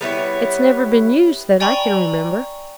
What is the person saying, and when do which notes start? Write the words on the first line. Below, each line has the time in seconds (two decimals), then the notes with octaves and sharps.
"It's never been used that I can remember."
0.01 G3 B3 E4 C#5
1.60 D5 G5 G#5 A#5 B5 C#6